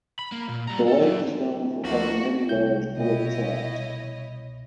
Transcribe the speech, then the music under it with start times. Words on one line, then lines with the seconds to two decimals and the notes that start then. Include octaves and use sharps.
The lake is known for having many large brook trout.
0.19 B5
0.32 A#3
0.48 A#2
0.67 G3 A#5
0.88 A4
1.02 F#3 E5
1.33 D1
1.85 D2 F3 A3 A#3 F#4
2.49 C2 G6
2.97 B2 E4 C#5 D#5